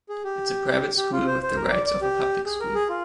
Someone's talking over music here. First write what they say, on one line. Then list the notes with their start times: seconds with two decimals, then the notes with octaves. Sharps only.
It’s a private school with the rights of a public school.
0.09 G#4
0.24 G4
0.97 G4
1.13 F4
1.27 C5
1.43 C5
1.56 A#4
1.71 D5
1.86 D5
2.02 G4
2.46 G#4
2.60 A#4
2.75 G#4
2.89 F4